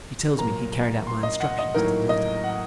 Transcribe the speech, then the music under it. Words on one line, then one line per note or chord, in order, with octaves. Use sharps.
He tells me he carried out my instructions to the letter.
A#2 F#3 A#3 A#5
C6
D#5
F#5
D#5
A2 F#3 A#3 D#4 A#4
D#5
F#5